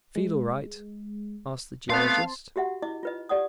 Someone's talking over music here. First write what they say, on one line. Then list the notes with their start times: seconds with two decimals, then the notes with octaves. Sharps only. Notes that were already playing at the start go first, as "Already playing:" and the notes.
"Feel all right?" asked the geologist.
0.16 G#3
1.90 A3 B3 C4 F5 A5 C6
2.56 F#4 G4 E5 F#5
2.82 E4 D#5 D6
3.03 F4 B4 D#5
3.29 G4 D5 F#5 D#6